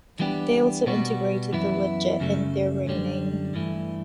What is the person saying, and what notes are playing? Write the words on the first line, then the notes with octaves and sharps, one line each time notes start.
They also integrated the word "jet" in their ring name.
E3 G3 B3 D4 G4
B2 G3 B3 F#4
F#2 E3 B3 E4
F#2 C#3 F#3 A3
F#2 D3 G3
G2 E3 A3